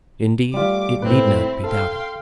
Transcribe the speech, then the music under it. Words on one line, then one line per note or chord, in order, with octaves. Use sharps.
Indeed it need not be doubted.
G3 A3 F4 D6
A2 C4 E4 B4
A4 F5 G5 C6